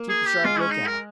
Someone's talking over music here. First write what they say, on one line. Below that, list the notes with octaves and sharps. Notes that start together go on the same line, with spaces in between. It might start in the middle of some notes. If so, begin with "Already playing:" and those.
Keep a sharp lookout.
Already playing: A#3
G#4
G4
G#3 F4
C#4
D#4
A#4